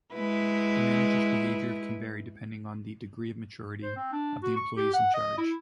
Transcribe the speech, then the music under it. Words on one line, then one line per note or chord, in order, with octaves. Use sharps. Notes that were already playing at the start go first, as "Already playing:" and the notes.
The manager's behavior can vary depending on the "degree of maturity" of the employees in charge.
G#3 E4 B4
C5
C4
D4
F#4
C#6
G4
F#5
D#5
E4